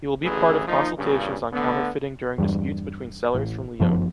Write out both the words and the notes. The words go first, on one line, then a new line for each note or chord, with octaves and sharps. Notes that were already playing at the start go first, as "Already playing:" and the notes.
He will be part of consultations on counterfeiting during disputes between sellers from Lyon.
A1 D2 C#3 E3 G#4
F3 A#3 D#4
G2 A#2 C#3
D3 A3 B3
E2 G2
A1
G1 F#2 F3